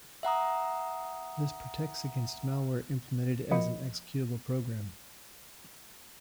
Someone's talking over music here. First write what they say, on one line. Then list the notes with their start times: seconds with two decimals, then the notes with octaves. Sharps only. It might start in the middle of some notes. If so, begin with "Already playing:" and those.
This protects against malware implemented as an executable program.
0.23 E5 F#5 A#5 D#6
3.51 F3 A#3 F#4 D#5 B5 C#7